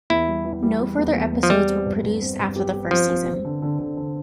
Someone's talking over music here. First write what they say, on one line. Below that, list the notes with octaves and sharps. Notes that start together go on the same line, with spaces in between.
No further episodes were produced after the first season.
E2 E4
G3
E3
G3
G3
E2
E2
E2
F3
G3 G4
C4
G2
G2
C4
G2
G4
G4
F3 C4
C4
C4
D3
D3
D3
D3